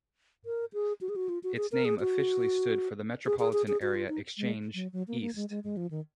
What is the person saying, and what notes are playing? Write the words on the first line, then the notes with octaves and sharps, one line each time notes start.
Its name officially stood for "Metropolitan Area Exchange, East".
A#4
G#4
F#4
G#4
F#4
F4
F#4
G#4
A#4
G#4
F#4
G#4
G#4
G#4
G#4
F#4
F4
D#4
G#3
F#3
F#3
A#3
A#3
G#3
G#3
G#3
F3
D#3